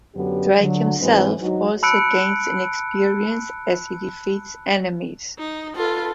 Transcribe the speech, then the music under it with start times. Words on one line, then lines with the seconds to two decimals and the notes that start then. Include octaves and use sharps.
Drake himself also gains in experience as he defeats enemies.
0.15 F#2 D3 F#3 B3 G4
0.59 D3 F#3
1.01 G#2 E3 F#3 G#3 C4 B4
1.41 F#3 D#4 F#4
1.83 A5 B5 E6 F#6 C#7 D7
5.38 D#4
5.76 F4 A4 B4